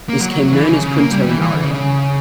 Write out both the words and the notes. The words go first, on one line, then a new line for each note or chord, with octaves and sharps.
This came to be known as "punto in aria".
A#3
F#3
F#3
F#3
E3
C#3
C#3
A#3
G3
E3
E3
D3
C#3
C#3